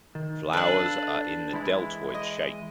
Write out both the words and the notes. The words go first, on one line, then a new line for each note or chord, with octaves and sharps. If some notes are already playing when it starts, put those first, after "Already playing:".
Flowers are in the deltoid shape.
D#3
D4 A4 B4 F5
E3 G#3 E4
D#5